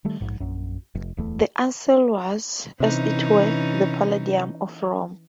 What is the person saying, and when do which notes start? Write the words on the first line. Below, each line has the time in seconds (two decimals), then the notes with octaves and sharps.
The Ancile was, as it were, the palladium of Rome.
0.05 D#3 G3 A3
0.21 A#1 G#2
0.40 A#1 F#2
0.95 F1
1.17 D1 E2 A3
2.80 C3 E3 C#4 D#4